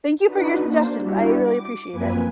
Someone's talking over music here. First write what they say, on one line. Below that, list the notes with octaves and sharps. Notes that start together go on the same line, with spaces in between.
Thank you for your suggestions, I really appreciate it.
D4 D#4 F#4 B4
A#3 D4 C5
G3 D4 E4 F#4 G4
D6
F#2 F3 A#3 C4 B4 G#5